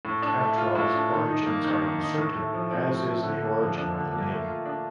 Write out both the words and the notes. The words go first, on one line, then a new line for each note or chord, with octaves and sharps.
Catral's origins are uncertain, as is the origin of the name.
A2
D4
A3
F4
A2
D4
D#3
D#4
A#3
D#3
D#3
D#4
A2
A3
F3
C4
A2
A3
D3
A#3
F3
D4
D3
A#3
A3
F4
D4